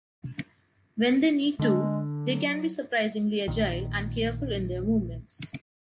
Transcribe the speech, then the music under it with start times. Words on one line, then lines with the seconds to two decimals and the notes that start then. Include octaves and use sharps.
When they need to, they can be surprisingly agile and careful in their movements.
1.59 D3 G#3 D4
2.21 F#3
3.48 A#1 A#2 D#3